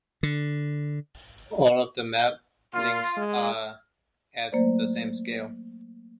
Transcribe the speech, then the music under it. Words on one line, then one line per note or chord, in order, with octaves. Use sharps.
All of the map links are at the same scale.
D3
A#2 F4
G#3
F#3 A3 A#3 C5 D5